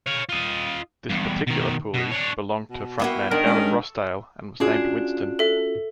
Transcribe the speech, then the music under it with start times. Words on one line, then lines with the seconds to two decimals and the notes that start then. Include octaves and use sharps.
This particular Puli belonged to frontman Gavin Rossdale and was named Winston.
0.06 C#5 F5
0.29 F4 D#5
1.09 E2 G2
1.47 B2 D#3
1.94 B2
2.11 D4 C#5
2.70 B2
3.00 A#3 B3 E4 F#4
3.31 D#3 D4 A#4
3.45 G#3 C#4
4.60 C#4 D4 F4 F#4 G#4
5.39 A4 E5